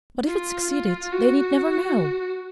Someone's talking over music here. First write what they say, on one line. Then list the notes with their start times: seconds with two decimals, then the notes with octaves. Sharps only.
'But if it succeeded, they need never know.
0.27 F4
0.70 F4
1.13 F#4